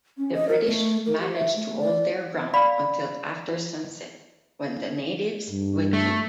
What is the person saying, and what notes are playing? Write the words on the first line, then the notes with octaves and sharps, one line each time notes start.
The British managed to hold their ground until after sunset, when the natives withdrew.
C#4
D#5
A#4
A3
A#4
G4
E5
A3
D5
D5 F5 B5
G2
A3